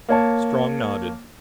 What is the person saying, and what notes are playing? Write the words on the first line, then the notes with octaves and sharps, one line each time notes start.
Strong nodded.
A#3 C#5 A5